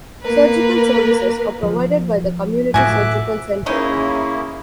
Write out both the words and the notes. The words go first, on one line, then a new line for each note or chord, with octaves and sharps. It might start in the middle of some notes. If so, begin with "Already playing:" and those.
Surgical services are provided by the Community Surgical Center.
A#3 A#4 B4
F3
A2 F3 A3 F#4 E5 G#5 D6 F#6
G#3 A#3 C#4 D#4 E4 G#4 C#5